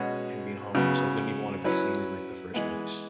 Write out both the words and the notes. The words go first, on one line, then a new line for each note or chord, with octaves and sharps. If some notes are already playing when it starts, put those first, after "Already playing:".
in being homeless, like, they don't even wanna be seen in, like, the first place.
Already playing: B2 G#3 C#4 F#4
C#3 F#3 B3
F#3 C#4 E4 B4
E3 G#3 B3